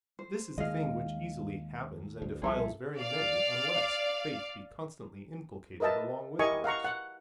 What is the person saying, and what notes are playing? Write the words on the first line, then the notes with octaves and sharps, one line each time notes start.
This is a thing which easily happens, and defiles very many, unless faith be constantly inculcated along with works.
C5
D#2 G#3 D#5 F5
D2
C2 E3 F3 G#4 A4 E5
D5 F5
A#4 B4 D#5 E5 A5
E4 G4 A#4 D#5 G#5 C#6
F5 F#5 A#5 C#6
F#5